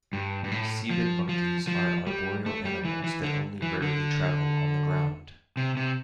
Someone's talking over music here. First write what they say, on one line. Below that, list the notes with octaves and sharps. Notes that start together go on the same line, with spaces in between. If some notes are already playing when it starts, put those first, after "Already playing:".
Cebid monkeys are arboreal animals that only rarely travel on the ground.
G2
G2
A2
F3
F3
F3
G3
A3
G3
E3
E3
D3
E3
D3
C3
C3